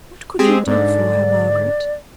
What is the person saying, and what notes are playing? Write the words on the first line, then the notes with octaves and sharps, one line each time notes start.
What could you do for her, Margaret?
G#3 C4 G4 G#4
G#2 D3 D5